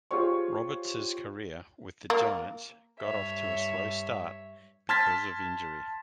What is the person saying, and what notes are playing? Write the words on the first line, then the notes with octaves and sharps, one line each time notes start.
Roberts's career with the Giants got off to a slow start because of injury.
F4 G4 G#4 C5 C#5 C#6
A#3
G2 C#5 E5
A5 C6 F6 G#6 A6 B6